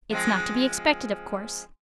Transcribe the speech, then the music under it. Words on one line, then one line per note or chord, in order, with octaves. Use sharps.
It's not to be expected, of course.
F3 G#3 C4